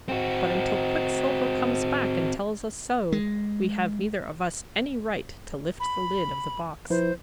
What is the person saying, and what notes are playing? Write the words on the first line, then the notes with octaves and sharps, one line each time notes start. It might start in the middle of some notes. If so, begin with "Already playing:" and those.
"But until Quicksilver comes back and tells us so, we have neither of us any right to lift the lid of the box."
C4 F#4
G#3
B5
F3 E4 B4 C5